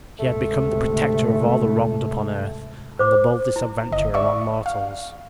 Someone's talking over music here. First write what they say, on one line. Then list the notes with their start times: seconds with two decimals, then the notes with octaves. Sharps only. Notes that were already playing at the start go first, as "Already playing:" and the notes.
He had become the protector of all the wronged upon earth, and the boldest adventurer among mortals.
0.19 D2 G#2 C3 A3
2.99 C5 D6
3.56 E4
3.92 G1 D#5
4.14 D5 E5 C#6
4.66 F5